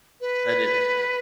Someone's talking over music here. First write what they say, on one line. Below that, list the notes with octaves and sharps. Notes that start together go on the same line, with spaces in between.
That is sad.
B4